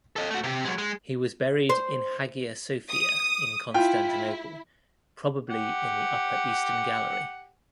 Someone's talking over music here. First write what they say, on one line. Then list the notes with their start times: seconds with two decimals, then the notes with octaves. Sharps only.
He was buried in Hagia Sophia in Constantinople, probably in the upper Eastern gallery.
0.16 A4 D#5
0.30 A3 F#4
0.44 C3 G4
0.65 F#3 G#3
0.78 G#3
1.69 C5
2.90 D#6
3.74 E4 F4 G5
5.50 G4 F#5